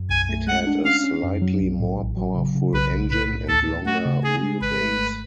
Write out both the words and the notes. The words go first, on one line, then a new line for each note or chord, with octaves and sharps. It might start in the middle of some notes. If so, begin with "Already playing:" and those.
It had a slightly more powerful engine and longer wheelbase.
Already playing: F#2
B1 G#5
A3
G#3 F#5
D4
C#4 F5
C#4
F#2
F#3
B1
A2
A1
F#3
C#3
C#3
B1 B4
B1
A2 B4
A2
D2 A4
D2
A3 F#4
C#3
C#3 G#4
G#3
G#1 B4
A3
G#1